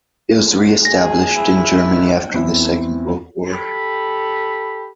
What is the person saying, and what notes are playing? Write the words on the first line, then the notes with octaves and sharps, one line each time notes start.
It was reestablished in Germany after the Second World War.
G#4 A#6
E4
E2 C4 E4
G4 A4 B5